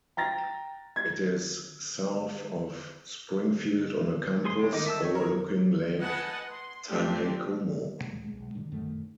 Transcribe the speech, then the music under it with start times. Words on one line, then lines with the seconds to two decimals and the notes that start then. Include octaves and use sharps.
It is south of Springfield on a campus, overlooking Lake Taneycomo.
0.17 G5 A#5 A6 A#6
0.96 G#6
4.45 G#4 C5 C6
4.59 G3 G#3
4.73 D#3 D#4 D#5 D6
4.86 E5 A5 E6
5.02 C#5 C#6
5.15 A#4
6.00 B4 D#5 F#5 G#5 A5
6.50 C6
6.88 A3 C4 D4 F4 G4
8.13 D#2 A#2 G#3
8.28 B1 G#3
8.55 G2 A#2 D3 D#3
8.71 A#1 F#2 D#3 A3